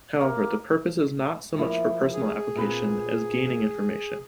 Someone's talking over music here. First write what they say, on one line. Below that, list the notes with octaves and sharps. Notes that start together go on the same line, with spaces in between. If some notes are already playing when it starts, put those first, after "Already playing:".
However, the purpose is not so much for personal application as gaining information.
A#3
F3 A#3 E4
G#4
A#2 C4 B4